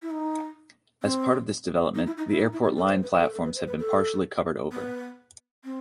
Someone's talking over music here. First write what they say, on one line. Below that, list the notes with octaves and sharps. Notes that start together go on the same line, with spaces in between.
As part of this development, the Airport line platforms have been partially covered over.
E4
D#4
C4
D#4
E4
D#4
E4
D#4
E4
G4
A4
C5
B4
A4
A4
B4
C5
B4
A4
B3
C4